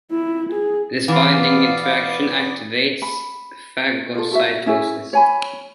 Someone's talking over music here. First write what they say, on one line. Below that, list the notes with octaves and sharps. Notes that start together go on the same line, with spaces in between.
This binding interaction activates phagocytosis.
E4
G#4
E3 B3 D5 F5 D6
B5
F4 A4
E4 F#4 E5
C#4 E4 G#4 C#5
C#5 G#5 B5